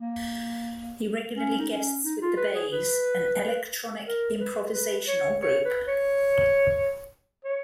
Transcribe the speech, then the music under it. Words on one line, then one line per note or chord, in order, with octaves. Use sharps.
He regularly guests with The Bays, an electronic improvisational group.
A#3
C#4
D#4
C#4
D#4
F4
B4
G#4
B4
A#4
B4
B4
C#5
C#5
B4
C#5
C#5